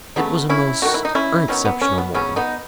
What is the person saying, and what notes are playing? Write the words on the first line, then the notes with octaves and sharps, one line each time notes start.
It was a most unexceptional morning.
C#3 F#3 A3 B3 D#4
C#4 E4
D#3 A3 F#4
E4
D#4
C#4 E4
D#3 F#3 B3 C#4
B3
C#4
B3
C#3 F#3 B3 C#4
B3 D#4